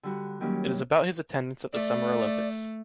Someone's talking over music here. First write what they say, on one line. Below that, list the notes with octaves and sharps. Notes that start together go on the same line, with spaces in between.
It is about his attendance at the Summer Olympics.
D3 G3 F#4
D#3 F#3 G3 A#3 C#4
A3 D5